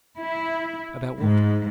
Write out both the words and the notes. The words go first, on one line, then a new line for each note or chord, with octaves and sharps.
"About what?"
E4
G#2